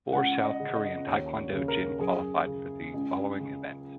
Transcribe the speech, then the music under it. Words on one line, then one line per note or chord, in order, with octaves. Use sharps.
Four South Korean taekwondo jin qualified for the following events.
C#2 F#5
D#5
C#3
D#5
D#2 C#5
C#5
C#3
A#4
F#2 G#4
C#3
C#2
C#3